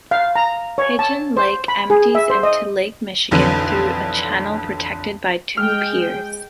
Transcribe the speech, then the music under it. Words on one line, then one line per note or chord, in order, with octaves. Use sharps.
Pigeon Lake empties into Lake Michigan through a channel protected by two piers.
F5
A#5
C#5
A5
C5
B5
G#4
E5
C5
D#5
B1 F2 D3 E3 B4 D#7
G#3 G5 F6